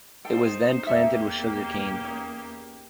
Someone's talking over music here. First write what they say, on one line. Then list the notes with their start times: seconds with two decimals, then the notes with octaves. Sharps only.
It was then planted with sugarcane.
0.25 D#4 A4 C5 G5
0.87 E2 A#3 D#4 G4 A4 E5
2.04 C#4 D#4 C#5